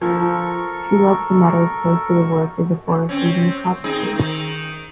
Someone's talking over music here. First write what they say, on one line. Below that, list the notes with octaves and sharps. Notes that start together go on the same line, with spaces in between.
She loves the meadows close to the woods or the forest, or even the coppices.
F3 A4 A#4 C#6
C4 C#4
C4 D#4 G#4
D#3